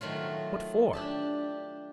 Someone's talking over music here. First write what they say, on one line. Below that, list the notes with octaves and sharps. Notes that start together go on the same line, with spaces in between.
What for?
D#3 F#3 A3 F4
D4 G4 A5